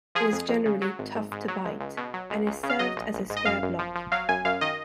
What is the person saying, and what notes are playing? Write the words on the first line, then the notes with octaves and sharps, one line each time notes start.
It is generally tough to bite, and is served as a square block.
F3 G#4
F2
F2
C#3
F#3
G#1
G#1
G#2
F#3
C#2
C#2
B2
F#3
C#2
C#2
C#3
F5
F#3 D#5
A#1
A#1
G#2
D#5
F#2 F5
F#2
F3
F3
F#3 F5
F#2 G#5
F#2 F5
D#3 D#5